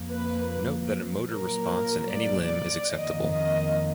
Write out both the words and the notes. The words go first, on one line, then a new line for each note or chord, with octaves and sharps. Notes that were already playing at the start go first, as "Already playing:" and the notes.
Note that a motor response in any limb is acceptable.
Already playing: F2 F3 A#3
B4
A#2 F#3 A#3 A#4
D5
F2 D#3 A#3 D#5
D#5